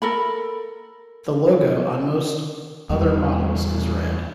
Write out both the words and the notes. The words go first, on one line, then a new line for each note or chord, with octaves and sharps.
The logo on most other models is red.
A4 A#4 B5
E2 G3